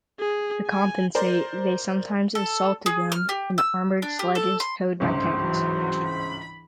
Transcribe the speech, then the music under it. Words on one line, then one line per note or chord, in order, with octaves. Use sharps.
To compensate, they sometimes assaulted them in armoured sledges towed by tanks.
G#4
G#5
A#4 C5 D5
A4
G#4
F6
G4
E6
D4
G4
A4
C6
G1 C#2 G#2 C5
E3 F#3
B5